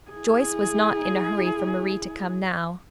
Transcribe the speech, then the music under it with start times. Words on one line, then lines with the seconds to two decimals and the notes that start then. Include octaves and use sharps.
Joyce was not in a hurry for Marie to come now.
0.11 E4 G#4